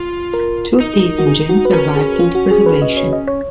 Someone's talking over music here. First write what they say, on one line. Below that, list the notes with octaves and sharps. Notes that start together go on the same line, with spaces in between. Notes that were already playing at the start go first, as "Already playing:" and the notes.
Two of these engines survived into preservation.
Already playing: F4
A#4
D#4
F#4
G#4
F#4
B4
C#4 A#4
G#4
F4
F#4
G#4
B4
D#5
C#5
D#5
C#5